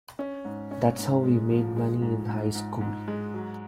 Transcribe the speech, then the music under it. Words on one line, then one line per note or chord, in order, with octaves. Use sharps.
That's how we made money in high school.
C#4
G#2
C#4
G#2
G#3
F3
G#3
G#2
G#2
G#2
G#2
G#3
F#3